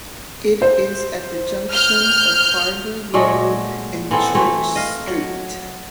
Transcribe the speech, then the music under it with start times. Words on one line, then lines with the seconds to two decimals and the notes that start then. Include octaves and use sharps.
It is at the junction of Harbour Road and Church Street.
0.62 C5
1.73 F6 G6
3.14 A#2 F#3 G#3 A3
4.11 E3 B3 C4 A4
4.35 E3 A3 C4
4.75 D#5 F5
5.07 F#3